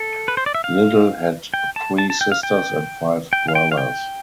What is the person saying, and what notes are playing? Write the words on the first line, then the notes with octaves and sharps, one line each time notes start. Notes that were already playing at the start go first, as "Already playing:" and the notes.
Little had three sisters and five brothers.
Already playing: A4
B4
C5
D5
E5
F5
G5
A5
A5
A5
G5
F5
G5
G5
F5
G5
F5
G5